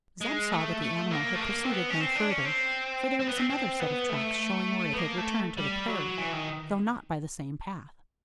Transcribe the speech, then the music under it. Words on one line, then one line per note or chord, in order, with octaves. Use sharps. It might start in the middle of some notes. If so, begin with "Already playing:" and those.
Zeb saw that the animal had proceeded no further: for there was another set of tracks showing where it had returned to the prairie--though not by the same path.
G#3
A3
A3
A#3
A3
A#3
C4
B3
C#4
C4
D4
C#4
C4
C4
B3
C4
C4
B3
A3
B3
A#3
A3
G3
F#3
E3
D#3